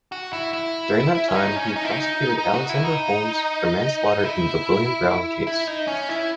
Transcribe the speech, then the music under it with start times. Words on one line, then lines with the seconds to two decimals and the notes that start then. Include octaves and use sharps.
During that time, he prosecuted Alexander Holmes for manslaughter in the "William Brown" case.
0.12 F#4
0.33 E4
0.53 E4
1.15 E4
1.28 C#4
1.35 D#4
1.56 C#4
1.76 D#4
1.84 E4
1.91 D#4
2.38 D#4
2.54 F#4
2.69 E4
2.85 D#4
4.23 E4
5.47 E4
5.67 D#4
5.88 C#4
6.09 E4